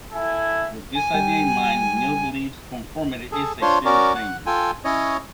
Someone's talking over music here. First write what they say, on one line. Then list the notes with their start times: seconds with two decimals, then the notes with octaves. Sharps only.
With this idea in mind, Mill believes conformity is a serious danger.
0.11 E4 A4 G#5
0.95 G#5
1.14 G3 G5
3.32 G#4 A4
3.61 D4 F4 C5 C#5
3.85 C#4 F#4 A#4 D5
4.15 F#5
4.46 F4 A4 G5 G#5
4.84 C#4 E4 C#5 D#5